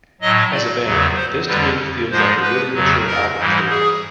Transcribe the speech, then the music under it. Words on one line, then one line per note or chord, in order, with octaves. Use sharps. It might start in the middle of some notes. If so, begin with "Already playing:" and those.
As a band, this to me feels like a really mature album for us.
A2 F#3 D#5
D5
E2 C#3 F#3
C5
F2 D3 G3 B4
G#2 F3 G#3 C5
B4
F2 C#3 F#3
A#4
G#2 E3 G3
G#4